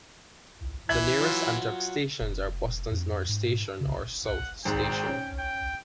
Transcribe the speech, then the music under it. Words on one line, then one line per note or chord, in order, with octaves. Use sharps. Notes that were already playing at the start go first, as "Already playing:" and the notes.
The nearest Amtrak stations are Boston's North Station or South Station.
E3 E5 G#6 F#7
F#3 F4
F1
F2
G#2
C#3
F#5
G#1 G#2 G5
C#4
G5